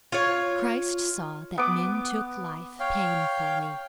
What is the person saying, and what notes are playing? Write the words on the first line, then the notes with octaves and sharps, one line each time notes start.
Christ saw that men took life painfully.
F4 C#5
B3 D6
C#5 F5 G5